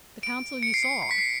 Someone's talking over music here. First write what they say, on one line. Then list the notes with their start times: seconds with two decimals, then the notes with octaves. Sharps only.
"The Council you saw."
0.23 D7
0.63 C#7
0.74 C7
0.83 C#7
1.02 C7
1.11 B6
1.18 C7